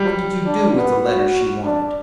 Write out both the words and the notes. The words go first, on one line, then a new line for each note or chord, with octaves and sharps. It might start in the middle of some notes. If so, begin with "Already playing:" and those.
"What did you do with the letters she wanted?"
Already playing: G3
D4
B3
F#4
D4